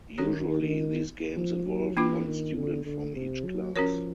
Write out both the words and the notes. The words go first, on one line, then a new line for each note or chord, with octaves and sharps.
Usually these games involve one student from each class.
D#3 C#4 F#4 A4 C#5
D#3
F3
F#3
E3 A#3 D4 F4
D#3
D3
D3
C3
F#3
F3 C#4 F#4 A#4 C#5